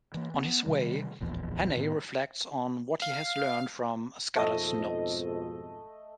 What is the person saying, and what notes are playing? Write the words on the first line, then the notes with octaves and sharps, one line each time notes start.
On his way, Hannay reflects on what he has learnt from Scudder's notes.
E3 A#3
B3
C3 D#3 G3
D1 A#1 E2
A2 D#3 B3
F5
F2 G#2 B2 A3 D#5